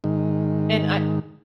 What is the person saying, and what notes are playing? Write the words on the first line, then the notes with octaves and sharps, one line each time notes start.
And I
G#2 D#3